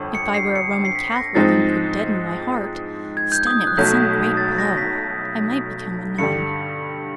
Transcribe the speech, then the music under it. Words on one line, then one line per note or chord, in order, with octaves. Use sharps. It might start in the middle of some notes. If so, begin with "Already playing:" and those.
If I were a Roman Catholic and could deaden my heart, stun it with some great blow, I might become a nun.
Already playing: G1 F2
C#7
C7
C#7
C7
B6
A#6
G#2 F3 G#3 C4 D#4 A6
G#6
G6
D#6
F#6
B1 B2 F#3 A3 G6
A6
A#6
B6
G2 D3 G3 C#7